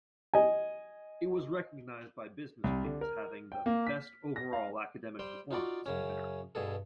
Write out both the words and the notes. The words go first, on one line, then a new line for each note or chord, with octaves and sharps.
It was recognized by BusinessWeek as having the "Best Overall Academic Performance" in Maryland.
D#5 G#5
C2
D3
A#4
G5
A#3
B6
A#6
F5
G3 C5 G5
D#4 F4 F#4 D5
F#2 C#3 C#4
G2 B2 G#4 A4